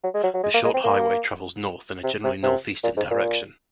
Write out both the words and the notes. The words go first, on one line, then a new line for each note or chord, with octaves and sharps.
The short highway travels north in a generally northeastern direction.
F#3
G#3
F#3
F#3
G#3
A#3
G#3
C4
A#3
C3
C3
C3
A#2
G#2
A#2